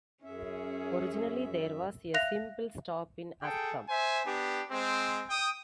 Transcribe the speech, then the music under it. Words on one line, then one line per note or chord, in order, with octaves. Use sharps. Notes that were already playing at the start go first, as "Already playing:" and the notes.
Originally, there was a simple stop in Askam.
F#2 C#4 G#4 E5
E5 F5 F#6 A#6 F7
G#4 A4 G5
C5 E5 G#5
B3 D4 G4
G#3 C4
G5 D#6